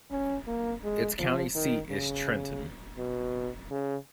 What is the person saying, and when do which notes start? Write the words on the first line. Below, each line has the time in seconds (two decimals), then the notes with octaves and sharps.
Its county seat is Trenton.
0.12 C#4
0.47 A#3
0.84 G#3
1.19 F3
1.55 D#3
1.90 C#3
2.98 B2
3.70 C#3